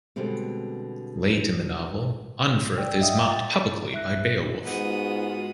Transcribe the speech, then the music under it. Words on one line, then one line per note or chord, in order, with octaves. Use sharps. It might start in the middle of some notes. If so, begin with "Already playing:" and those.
Late in the novel, Unferth is mocked publicly by Beowulf.
B2 D3 G3 G#3 C4
D5 G5 E6
D#5 E5 F#5 G5 D#6
A6
E5 F#6 A#6
G#2 G#3 B3 F4 F#4 D#6